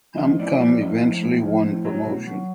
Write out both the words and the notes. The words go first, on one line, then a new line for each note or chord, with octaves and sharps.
Hamkam eventually won promotion.
F3 D#5
A2 D5
F3 D5
A2 D#5
F3
A2
F3
A2
F#3
B2
F#3